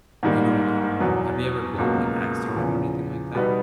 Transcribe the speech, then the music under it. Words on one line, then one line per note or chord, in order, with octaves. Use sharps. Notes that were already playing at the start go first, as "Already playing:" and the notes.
You know, um, have you ever done, like, axe throwing or anything like that?
G#2 D#3 G3 A#3
E2 B2 F#3
C#2 B2 F#3 A#3
E2 C#3 F3
B2 G3 B3 D#4